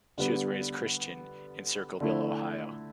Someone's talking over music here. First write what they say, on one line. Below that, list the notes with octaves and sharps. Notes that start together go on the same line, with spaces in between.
She was raised Christian in Circleville, Ohio.
D3 G3 B3
D3 A3 E4